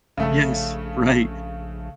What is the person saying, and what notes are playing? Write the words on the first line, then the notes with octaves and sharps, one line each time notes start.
Yes, right.
A#1 C#3 A3 A4